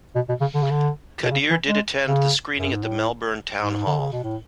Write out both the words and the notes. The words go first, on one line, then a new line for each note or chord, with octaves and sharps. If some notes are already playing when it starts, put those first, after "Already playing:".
Kadeer did attend the screening at the Melbourne Town Hall.
B2
B2
C#3
D3
C#3
D3
B2
C#3
E3
G#3
C#3
F#2
G#2
A2
G#2
D3
C#3
B2
A2